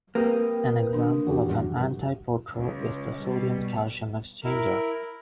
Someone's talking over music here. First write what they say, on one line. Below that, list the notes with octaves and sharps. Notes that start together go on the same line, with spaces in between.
An example of an antiporter is the sodium-calcium exchanger.
A#3 C4 G4 A#4 B4 G5 D#6
D#3 D4
G#1 E2 F#4 G4
F#2
C#2
B2 G3
E4 A#4